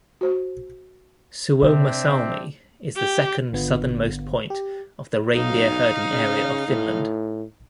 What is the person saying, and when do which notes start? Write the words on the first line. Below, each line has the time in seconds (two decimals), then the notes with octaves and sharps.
Suomussalmi is the second southernmost part of the reindeer-herding area in Finland.
0.21 F#4 C5
1.62 C3 C4 D4 E5
2.96 G4
3.53 G#1 D3 B3 F4
4.50 G4
5.35 B1 D#4 F5
6.11 C#3
6.68 A2